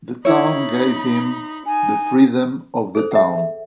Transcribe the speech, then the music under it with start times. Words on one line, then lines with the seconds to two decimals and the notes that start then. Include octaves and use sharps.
The town gave him the Freedom of the Town.
0.25 D#4 E4 C#5 B5
1.66 D#4 G#5
2.95 G#4 A4 C5
3.12 E5 F#5